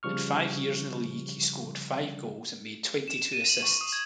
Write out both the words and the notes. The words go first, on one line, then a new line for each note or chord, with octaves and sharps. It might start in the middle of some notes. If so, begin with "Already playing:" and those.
In five years in the league, he scored five goals and made twenty-two assists.
C#3 F3 G3 C#6 F6
E7
D#7
F#7
C#6
D#6
G#6